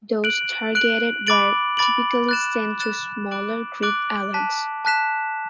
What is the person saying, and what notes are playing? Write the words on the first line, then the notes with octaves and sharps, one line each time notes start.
Those targeted were typically sent to smaller Greek islands.
F#6 D7 F#7
F#6 D7 F#7
B5 D6 A6 D7 F#7
B5 D6 A6 D7 F#7
F#6 A6 E7
F#6 A6 E7
D6 F#6 A6 D7 F#7
D6 F#6 A6 D7 F#7
A5 F#6 B6 E7
A5 F#6 B6 E7